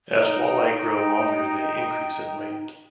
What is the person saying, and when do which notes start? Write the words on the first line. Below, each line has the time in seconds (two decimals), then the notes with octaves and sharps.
As walleye grow longer, they increase in weight.
0.13 D#4 G5